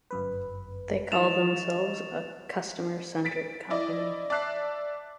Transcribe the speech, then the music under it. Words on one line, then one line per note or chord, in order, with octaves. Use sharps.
They call themselves a customer-centric company.
G1 F#2 B4
E3 D#5 C#6 A6 E7 F7
A6 B6 D7
E4 D5 D#5
D5 E5 A5 F#6 C7